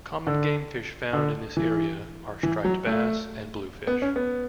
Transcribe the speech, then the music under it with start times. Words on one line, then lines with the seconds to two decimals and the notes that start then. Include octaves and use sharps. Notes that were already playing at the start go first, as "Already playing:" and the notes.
Common game fish found in this area are striped bass and bluefish.
0.27 D3
1.13 D3
1.57 E3
2.43 E3
2.65 F#3
2.86 A3
3.87 B3
4.02 C#4
4.16 B3